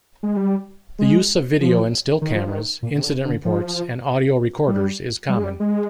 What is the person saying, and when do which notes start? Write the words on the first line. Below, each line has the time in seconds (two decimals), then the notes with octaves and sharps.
The use of video and still cameras, incident reports and audio recorders is common.
0.23 G#3
0.37 G3
0.99 G#3
1.60 F3
2.21 D#3
2.35 F3
2.48 D#3
2.82 A#2
2.98 C3
3.04 D3
3.24 D3
3.45 F3
4.67 G3
5.29 G3
5.37 G#3
5.44 G3
5.60 G#3